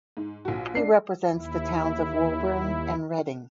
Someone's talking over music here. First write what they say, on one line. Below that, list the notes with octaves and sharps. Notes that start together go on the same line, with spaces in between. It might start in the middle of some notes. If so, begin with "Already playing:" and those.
He represents the towns of Woburn and Reading.
G#2
A#1 F#4
D4 C7
D#2 E4